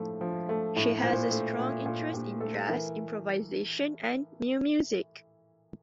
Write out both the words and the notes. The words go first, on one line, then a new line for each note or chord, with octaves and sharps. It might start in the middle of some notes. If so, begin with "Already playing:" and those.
She has a strong interest in jazz, improvisation, and new music.
Already playing: A2 F3 A3
F3
A3
A2
A#2 C5
A3
A#2
A#2
A#2 G4
A3 A4
E3 A#4